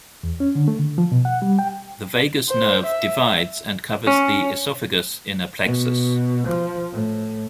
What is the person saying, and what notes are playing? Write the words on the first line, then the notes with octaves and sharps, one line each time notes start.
The vagus nerve divides and covers the esophagus in a plexus.
E2
C#4
D3
A3
D3
F3
B2
F#5
G3
G5
C5
E5
C#4
B2
F3
A2